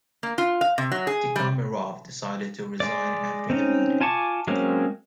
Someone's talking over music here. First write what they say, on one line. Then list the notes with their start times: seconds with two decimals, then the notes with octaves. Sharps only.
Tikhomirov decided to resign after the meeting.
0.23 A#3
0.38 F4
0.61 F5
0.78 C3
0.92 F#3
1.07 G#4
1.36 G3
2.80 G#3 D5
3.50 C4 C#4 D#4
4.01 F4 G#5 A5 C#6 D6
4.47 F#3 G#3 A#3 C4 C#4